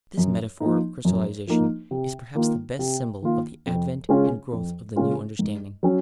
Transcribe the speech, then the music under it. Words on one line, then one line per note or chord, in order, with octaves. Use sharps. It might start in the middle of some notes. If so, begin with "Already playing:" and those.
This metaphor of crystallisation is perhaps the best symbol of the advent and growth of the new understanding.
F#2
F3 A#3 D#4
F#2
F3 A#3 D#4
C3
D#3 A#3 F4
C3
D#3 A#3 F4
F2
C#3 G#3 C#4 F4
F2
C#3 G#3 C#4 F4
G#2
F#3 C#4